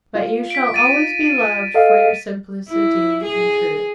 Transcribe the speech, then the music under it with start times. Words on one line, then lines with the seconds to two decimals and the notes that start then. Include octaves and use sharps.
But you shall always be loved for your simplicity and truth.
0.15 F4
0.50 B6 D7
0.74 A6 D#7
1.74 A4 D#5 F5
2.69 E4
3.23 G#4